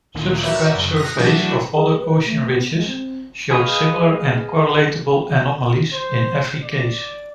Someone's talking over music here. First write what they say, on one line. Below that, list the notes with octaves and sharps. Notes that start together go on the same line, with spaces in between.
Subsequent surveys of other ocean ridges showed similar and correlatable anomalies in every case.
D2 A#2 D#3
F#4 A#4 B4 C#5 D5 E5
F#2 C#3
D#6 F6 F#6 A#6
A2 E3 F#3 D4 F#4
G#4
B4
A3
B3
G#3
C4
G#4 B4 D#5 F5
C5
D5